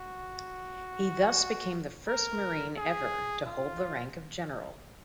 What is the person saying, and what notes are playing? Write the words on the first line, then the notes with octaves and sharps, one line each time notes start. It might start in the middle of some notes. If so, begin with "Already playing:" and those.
He thus became the first Marine ever to hold the rank of General.
Already playing: F#4
A#4
G#4
F4